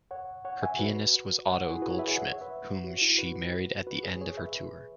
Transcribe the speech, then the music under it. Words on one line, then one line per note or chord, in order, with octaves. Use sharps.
Her pianist was Otto Goldschmidt, whom she married at the end of her tour.
C#5 F#5
C#5 F#5
E5 G#5
F#4 B4
C#5 F#5
E4 G#4
F#4 B4
G#4 C#5
B4 E5
G#4 C#5
F#5
E5
C#5
B4 E5
F#4
E4
F#4 B4
F#4 B4
G#4 C#5
G#4 C#5
B4 E5